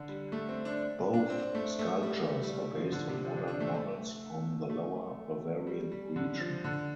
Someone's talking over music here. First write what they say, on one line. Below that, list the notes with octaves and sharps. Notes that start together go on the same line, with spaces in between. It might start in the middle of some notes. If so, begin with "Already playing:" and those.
Both sculptures are based on modern models from the Lower Bavarian region.
Already playing: D3
G3
A3
C4
D4
D4
C4
A3
A3
G3
G3
G3
G3
F3
D3
C3
F3
D4
D4
A3
C4
A3
A3
G3
G3
D3
F3
D3